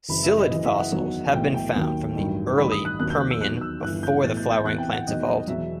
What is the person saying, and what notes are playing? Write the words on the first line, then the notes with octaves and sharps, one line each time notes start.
Psyllid fossils have been found from the early Permian before the flowering plants evolved.
F#1 F#2 E3 B5
E5
D#5
F#1 F#2 E3 D#5
E5
F#5
E2 D#3 F#3
B1 A2 E3 G5
G5
D#2 D#3 F#3
A1 G2 D#3 F#3
A1 G2 D#3 B5
D#6
F#6
D#2 D#3 F#3 F#6
G6
F#6
E6
E2 D#3 F#3 F#6
E6
G1 G2 E3 F#6
G6
B1 A2 E3 A6
G6
G6
E2 C3 E3 F#6
G5
F#5
E2 D#3 F#3 D#5
D#5
E1 E2 B2 F#3 E5